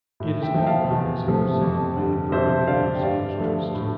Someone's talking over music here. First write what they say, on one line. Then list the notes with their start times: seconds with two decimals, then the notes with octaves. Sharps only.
It is now run as a museum by the Birmingham Museums Trust.
0.20 A2
0.42 E5 G5
0.54 F3 A3 G5
0.66 F5 A5
0.90 E2
1.25 C3 F3 A3
1.61 F2
1.97 D3 G3
2.32 F2 C5 E5
2.67 D3 G3 D5 F5
2.96 G5
3.03 G2 D5 F5
3.38 D3 F3 A3
3.75 A2